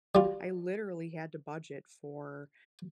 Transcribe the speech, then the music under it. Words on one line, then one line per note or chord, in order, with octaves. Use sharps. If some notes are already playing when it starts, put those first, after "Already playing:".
I literally had to budget for,
G3 F4